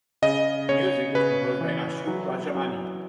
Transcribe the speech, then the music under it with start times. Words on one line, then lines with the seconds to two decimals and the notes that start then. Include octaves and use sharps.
Music is composed by Achu Rajamani.
0.22 C#3 D#5
0.69 C#3 C#5
1.15 C#3 B4
1.61 E3
2.07 F#3
2.55 F#3